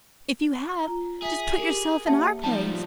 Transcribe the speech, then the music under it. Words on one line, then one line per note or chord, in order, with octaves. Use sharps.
If you have, just put yourself in our place.
F4 A#5
G#4 E5
G4 A#4
A#3 G4 C#5 E5 F#5 A5
F3 G3 D#4 A5